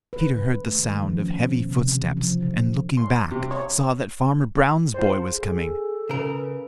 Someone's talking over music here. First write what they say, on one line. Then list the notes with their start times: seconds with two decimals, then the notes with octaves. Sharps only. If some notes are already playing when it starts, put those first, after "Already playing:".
Peter heard the sound of heavy footsteps, and looking back, saw that Farmer Brown's boy was coming.
0.13 B4
0.36 D3
0.64 A3
0.79 D#3
1.02 F3
1.19 C#4
1.49 B2
1.70 C3
1.93 E3
2.17 F3
2.42 D3
2.97 C6
3.31 C3
3.51 C#5
4.94 F4 C5
5.30 G#4 A4
6.09 C#3 A#4 B4